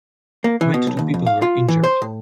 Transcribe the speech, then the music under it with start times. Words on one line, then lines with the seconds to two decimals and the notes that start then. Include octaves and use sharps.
Twenty-two people were injured.
0.44 A#3
0.61 E3
0.74 B2
0.87 B1
0.99 D#2
1.14 F2
1.26 F5
1.42 F4
1.68 E3
1.84 C5
2.02 A2